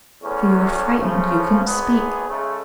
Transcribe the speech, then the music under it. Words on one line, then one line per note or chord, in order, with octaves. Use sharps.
For you were frightened; you couldn't speak.
E2 A2 C#4
C#3 F3 A3 C#4
G#1 B3 G#4
C#3 G#3 A3